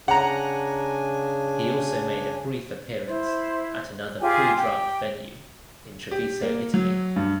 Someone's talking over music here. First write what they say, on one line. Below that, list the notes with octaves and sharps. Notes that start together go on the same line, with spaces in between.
He also made a brief appearance at another pre-draft venue, in Treviso, Italy.
C#3 D4 F#5 G#5 A#5
E4 C5
F4 G4 G#4 G#5
G4 G5
G4
A#3
F#3
G2